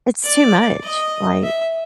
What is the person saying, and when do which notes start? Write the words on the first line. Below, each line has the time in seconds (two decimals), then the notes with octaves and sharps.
it's too much, like,
0.24 D5
0.83 D#5
1.43 E5